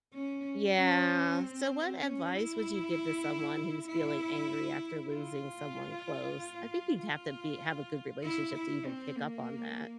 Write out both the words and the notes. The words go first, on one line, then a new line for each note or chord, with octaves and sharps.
Yeah. So, what advice would you give to someone who's feeling angry after losing someone close? I think you'd have to be have a good relationship to even pick up on that.
C#4
C#4
C4
C#4
E4
E4
F4
F4
E4
E4
C4
A#3